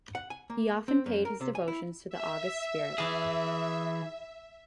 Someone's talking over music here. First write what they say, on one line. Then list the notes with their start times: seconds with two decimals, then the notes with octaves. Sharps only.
He often paid his devotions to the august spirit.
0.15 F#5
0.30 G#5
0.50 A#3
0.88 C4
1.06 F#2
1.25 A#4
1.41 C3
1.55 G#5
1.68 E4
2.10 E5
2.98 E3 G#4